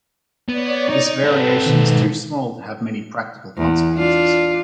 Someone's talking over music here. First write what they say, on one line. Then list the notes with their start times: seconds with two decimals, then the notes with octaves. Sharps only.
This variation is too small to have many practical consequences.
0.48 B3 C#5 D5
0.89 D#4
1.24 B3 C4 A4 B4
1.66 G#2 B2 D#3
3.57 E2
3.95 D4 F4